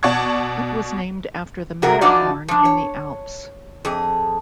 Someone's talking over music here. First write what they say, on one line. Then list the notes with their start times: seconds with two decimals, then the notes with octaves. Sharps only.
It was named after the Matterhorn in the Alps.
0.03 B2 D5 F#5 A5 C#6 G#6
1.82 C3 F#4 G#4 A#4
2.01 E3 F3 D4 D#4 F#4 D5
2.48 F3 D4
2.65 C#5
3.85 F2 G#4